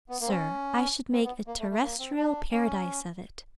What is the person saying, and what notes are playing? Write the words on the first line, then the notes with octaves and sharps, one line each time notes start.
"Sir, I should make a terrestrial paradise of it."
B3
A#3
C4
C#4
C4
B3
A#3
A3
A3
A#3
C4
D4
C#4